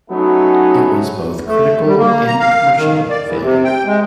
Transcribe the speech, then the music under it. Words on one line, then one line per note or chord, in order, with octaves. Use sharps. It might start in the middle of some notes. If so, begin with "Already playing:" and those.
It was both critical and commercial failure.
F#3 A3 B3 C#4 D#4
A3
G3
A#3
A#5
F5
D#3
D5
E2
C3
G5
G#3